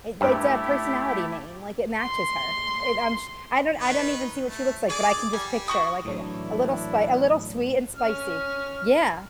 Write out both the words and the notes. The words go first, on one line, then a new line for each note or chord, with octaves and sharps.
It it's a personality name, like, it matches her. It, um sh I don't I don't even see what she looks like, but I can just picture, like, uh, a little spi a little sweet and spicy. Yeah.
G2 A3 E4 G4
C6
D#3 D#4 B4
A3
G#4 D5 D6
G3 G#5
F#4 C#6 D#6
A2 E3 F#3 A3 D4 E4
C#4 F6